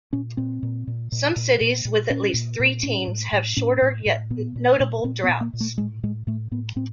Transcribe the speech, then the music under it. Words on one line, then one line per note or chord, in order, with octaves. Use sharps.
Some cities with at least three teams have shorter yet notable droughts.
A#2 C#4
A#2 C4
A#2
A#2
A#2
A#2
A#2
A#2
A#2 C#4
A#2
A#2
A2 C#4
A2
A2
A2 C#4
A2
A2
A#2 B3
A#2
A#2
A#2 C4
B3
A#2
A#3
A#2
A3
A2 G#3
A2 G#3
A2 A3
A2 B3
A2 C4